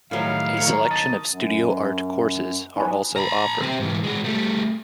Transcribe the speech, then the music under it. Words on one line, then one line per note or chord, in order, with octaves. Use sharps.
A selection of Studio Art courses are also offered.
A2 D#3 F#3 G3 F5
A#4 C#5
D#5 A5
F#2
F#3 B3 D#4 G#5 B5
A#5 B5
C4 G4
G#2 E3
G#3 F#4
G3 A3